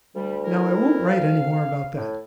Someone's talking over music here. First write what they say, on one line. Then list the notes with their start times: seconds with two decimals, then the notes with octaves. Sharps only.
Now I won't write any more about that.
0.15 D2 G3
0.43 E4 A#4
1.08 F5
1.97 A2